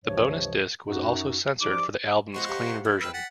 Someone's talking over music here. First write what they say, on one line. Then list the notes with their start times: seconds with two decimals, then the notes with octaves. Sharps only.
The bonus disc was also censored for the album's clean version.
0.05 C#2 G2 C3 E3 F3 C#5
0.86 F#2 D#4 F#4
1.62 F3 D#4 G4 D5 D6
2.34 G#3 B3 F4 C5 D#5 F#5 C#6
2.48 G4 F5 A#5
2.85 E4 F6
3.01 B4 C5 G5 E6 F6
3.14 F#5 A6 B6